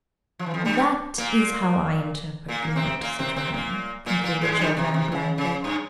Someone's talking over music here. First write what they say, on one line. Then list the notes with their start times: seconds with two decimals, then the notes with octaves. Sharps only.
"That is how I interpret the note, citoyenne," concluded Chauvelin, blandly.
0.39 F3
0.46 E3
0.54 F2 F3
0.65 G2 G3
1.18 A#2 A#3
2.48 A#2 A#3
2.64 A#3
2.76 C3 C4
3.01 A#2 A#3
3.19 C3 C4
3.36 C3 C4
3.54 A#2 A#3
4.06 A#2 A#3
4.24 A#2 A#3
4.41 G#2 G#3
4.52 G#3
4.58 G2 G3
4.77 C3
4.94 C3
5.12 C#3
5.38 C#3
5.64 G2